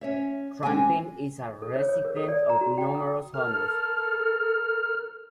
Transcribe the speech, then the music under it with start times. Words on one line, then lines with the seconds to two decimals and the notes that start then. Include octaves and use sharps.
Trimpin is a recipient of numerous honors.
0.01 C#4 C#5 E5
0.63 G#3 C4 C#4 G4 A4 G#5
1.62 A4
1.76 C#5
1.89 C#5
2.05 A#4
2.16 A4
2.29 D5
2.49 A#5
2.61 F#4
2.78 G5
2.95 D#6
3.34 A4 A#4 F6